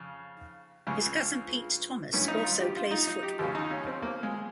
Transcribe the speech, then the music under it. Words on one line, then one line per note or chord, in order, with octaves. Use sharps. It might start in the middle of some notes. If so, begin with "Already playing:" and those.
His cousin, Pete Thomas, also plays football.
Already playing: F2 C#3
C#2 C#3
G2 D#3 C#4
D#4
F4
G4
F4
D#4
D#4
G4
D#2 C#3 G4
D#4
C#4
C4
A#3
G#3